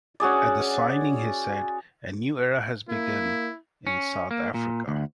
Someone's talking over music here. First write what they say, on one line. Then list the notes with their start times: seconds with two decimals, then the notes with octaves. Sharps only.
At the signing he said A new era has begun in South Africa.
0.20 C#4 F#4 G#4 D5
2.89 A#3 E4
3.87 C#4
4.31 A#3
4.54 A#2
4.88 D2